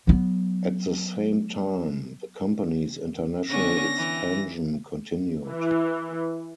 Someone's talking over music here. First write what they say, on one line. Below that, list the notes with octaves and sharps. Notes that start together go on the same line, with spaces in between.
At the same time, the company's international expansion continued.
F#3 B3
D3 B3 C#4 A#6
E3
E3